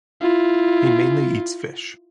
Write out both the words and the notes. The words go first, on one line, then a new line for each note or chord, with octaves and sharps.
He mainly eats fish.
E4 F4